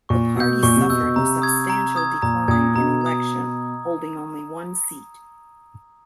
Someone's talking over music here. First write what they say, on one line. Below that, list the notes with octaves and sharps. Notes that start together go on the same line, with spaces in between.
The party suffered a substantial decline in the election, holding only one seat.
A#2 C#6
B2 E6 G6
A#2 C#6
C3
B2 E6 G6
B2
C3 A#5
D#6 G#6
A#5
D#6 G#6
A#2 A#5
A#2 D#6 G#6
B2 A#5
D#6 G#6